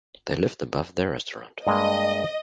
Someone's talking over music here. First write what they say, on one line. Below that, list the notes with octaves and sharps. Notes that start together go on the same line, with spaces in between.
They lived above their restaurant.
G2 G#3 A#3 D#5